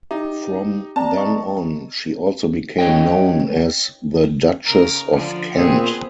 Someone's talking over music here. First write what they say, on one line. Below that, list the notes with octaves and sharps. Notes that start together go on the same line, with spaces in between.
From then on she also became known as the Duchess of Kent.
D#4 G4
C4 D5 A5 A#5
D#5 C#6
C#4 C#5 D#5 G5
C#3 A#4
D3 F3
A#2 B3 C4 G#4